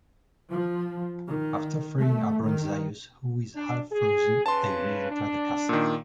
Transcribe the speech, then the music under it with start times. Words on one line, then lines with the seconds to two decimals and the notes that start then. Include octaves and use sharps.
After freeing Abronsius, who is half frozen, they re-enter the castle.
0.50 F3
1.27 D#3
1.98 A3
2.44 D#3
3.55 D4
3.92 G#4
4.46 C#3 B4 A5 C6
5.11 D4
5.69 A#2 D#3